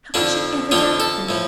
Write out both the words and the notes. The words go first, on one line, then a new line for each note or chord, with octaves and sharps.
How could she ever doubt him?
F2 D3 F3 D4
F2 D3 F3 F4
A4
A2 F3